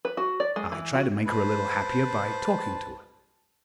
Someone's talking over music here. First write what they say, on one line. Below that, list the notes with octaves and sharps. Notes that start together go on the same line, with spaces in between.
I tried to make her a little happier by talking to her.
B4
F#4
D5
G#3
E3
F#4
B4 C5 A5